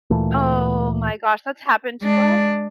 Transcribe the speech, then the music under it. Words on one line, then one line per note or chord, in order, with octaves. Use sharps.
Oh my gosh, that's happened to us?
D2 A#2 E3 A3
G#3 D4